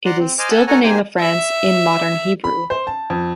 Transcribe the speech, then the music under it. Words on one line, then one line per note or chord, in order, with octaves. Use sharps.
It is still the name of France in Modern Hebrew.
D5 F#5 A#5 C6
C4
C5 D#5 G#5 D6 F6
F#5 G#5 A5 E6
A4 A#4 C#5 F#5 G#5 A#5
A#3 D#4 G4 G#4 C5 G#5
E5
B5
C5
A5
F2